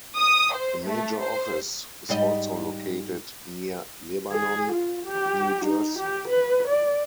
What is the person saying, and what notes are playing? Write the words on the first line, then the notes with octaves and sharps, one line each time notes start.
A major office is also located near Lebanon, New Jersey.
D#6
C5
A3
C5
G#2 G3 D#5
G#4
F4
G4
D#4
G4
B4
D5